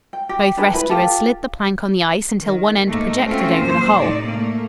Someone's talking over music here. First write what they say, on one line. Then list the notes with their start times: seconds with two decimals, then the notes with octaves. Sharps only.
Both rescuers slid the plank on the ice until one end projected over the hole.
0.13 G5
0.29 G4
0.57 D4 G#4 B4 G5
0.73 E4 B4
0.90 F4 G4 A4
2.40 D#3
2.87 G#2 A3 A#3 D#4
3.25 A3 C4 C#4 F4 F#4
3.58 F#2 A#2 C5
3.97 A2 C3 D#4 D5
4.28 A3 A#3